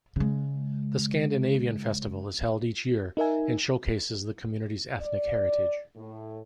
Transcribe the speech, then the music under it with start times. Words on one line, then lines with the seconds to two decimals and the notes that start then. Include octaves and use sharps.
The Scandinavian Festival is held each year and showcases the community's ethnic heritage.
0.16 C#3 G#3
3.17 D#4 A#4 E5 G#5
5.01 D5
5.96 A2